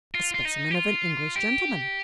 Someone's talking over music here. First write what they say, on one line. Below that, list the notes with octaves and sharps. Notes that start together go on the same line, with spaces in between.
"A specimen of an English gentleman."
F4
F4
D#4
G4
F4
G4